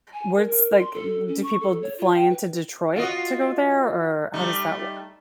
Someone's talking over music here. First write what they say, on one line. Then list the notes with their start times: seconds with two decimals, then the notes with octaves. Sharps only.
What's like do people fly into Detroit to go there or how does that work?
0.13 G#5
0.36 A#4
0.48 A#4
0.79 C6
0.94 A4
1.28 C#4
1.43 C#6
1.61 A4
1.82 C#5
1.98 F4
2.14 G5
2.30 B4
2.96 F4 F#4 D#5
4.34 G3 A3 D#4